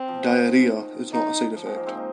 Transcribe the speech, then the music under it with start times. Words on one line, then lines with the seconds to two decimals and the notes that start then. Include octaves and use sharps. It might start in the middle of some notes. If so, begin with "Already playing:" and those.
Diarrhea is not a side effect.
Already playing: C4
0.08 F3
0.29 D#3 G#3
1.13 D#4
1.56 F3
1.66 D#3 G#3
1.76 F3 A#3
1.87 G#3 C4
1.97 D#4